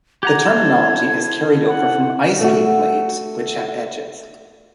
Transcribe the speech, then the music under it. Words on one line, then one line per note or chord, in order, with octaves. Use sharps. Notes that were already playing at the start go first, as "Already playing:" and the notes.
The terminology is carried over from ice skate blades, which have edges.
G4 F#5 A#5 G#6
E4 A4 C5
F#5
A3 F#4